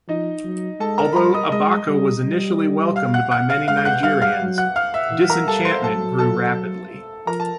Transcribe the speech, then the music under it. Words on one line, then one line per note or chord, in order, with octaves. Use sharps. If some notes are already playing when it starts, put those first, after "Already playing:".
Although Abacha was initially welcomed by many Nigerians, disenchantment grew rapidly.
F3 D#4 D#5
F#3
G#3 A4 A5
A#4 A#5
B5
G3 A#4 A#5
D#5 D#6
G#3 D#5 D#6
G3
G3
F5 F6
F#5 F#6
F#5 F#6
F5 F6
G#3 F5 F6
G6
F#5 F#6
G3 F5 F6
F5 F6
F#3
F#5 F#6
F5 F6
E5 E6
E3
A#4 A#5
G3 A4 A5
C5 C6
F#3 A4 A5
A4 A5
F3 A#4 A#5
A5